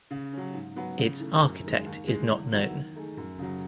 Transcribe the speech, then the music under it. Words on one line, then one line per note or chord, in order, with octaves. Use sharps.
Its architect is not known.
C#3
F#3 C#4
G#2
F#3 B3
C#3
E3 A3
F#2
D#3 G#3
D#2
C#3 E3 G#3
E2
D#3 F#3 B3 E4
D#3
A3 D#4 G#4
F#2
C#3 F#3